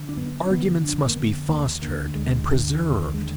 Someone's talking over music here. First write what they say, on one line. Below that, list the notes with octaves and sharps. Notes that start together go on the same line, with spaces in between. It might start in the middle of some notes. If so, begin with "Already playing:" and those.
Arguments must be fostered and preserved.
Already playing: D3
D4
F#2 B3
D4
D3 B3
F2 D4
A#3
D3 B3
D#2 A#3
D3 A#3
D2 G#3
D3
D#2
D3 G#3